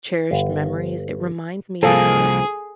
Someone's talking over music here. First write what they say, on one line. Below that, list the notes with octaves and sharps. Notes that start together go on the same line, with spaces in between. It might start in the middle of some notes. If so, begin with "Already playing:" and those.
cherished memories, it reminds me of
G1
C2 F3 A#3 G#4 A4